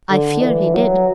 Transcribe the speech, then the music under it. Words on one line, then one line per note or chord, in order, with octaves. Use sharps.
I fear he did.
D3
E3
F#3